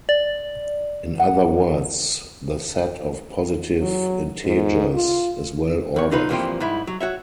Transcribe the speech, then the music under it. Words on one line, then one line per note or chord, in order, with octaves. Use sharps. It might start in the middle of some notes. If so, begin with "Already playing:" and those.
In other words, the set of positive integers is well-ordered.
D5
F#5
F#3
G#2
F4
E2 C#5
D3 D#4 F4 B4
G2 E3 F3 A#3 C4 F4
G#2 G3 E4
F#3
F#4 C#5 E5